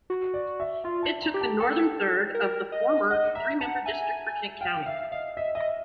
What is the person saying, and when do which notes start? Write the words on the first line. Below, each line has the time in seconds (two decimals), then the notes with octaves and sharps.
It took the northern third of the former three-member district for Kent County.
0.10 F#4
0.34 D5
0.60 E5
0.84 F4 E5
1.03 A5
1.22 A#5
1.34 G4
1.41 A5
1.60 A4 G5
2.35 A#4
2.72 D#5
3.10 D#5 F#5
3.35 E5 A#5
3.61 F#5 A5
3.86 E5 G#5
4.61 F5 G5
4.86 E5 F5
5.12 D#5 F5
5.37 D#5 E5
5.55 D#5 E5